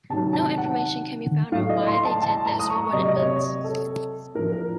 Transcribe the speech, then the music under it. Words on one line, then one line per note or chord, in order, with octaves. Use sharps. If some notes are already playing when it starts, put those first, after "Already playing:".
No information can be found on why they did this or what it means.
C3 D#3 F#3 A5
A5
F#5
A2 F#3 F5
D#5
C6
A5
A5
A#5
D#6
C#6
C3 F#3 D#5
D#5
C#5
A4
A2 F3 A#4
A#4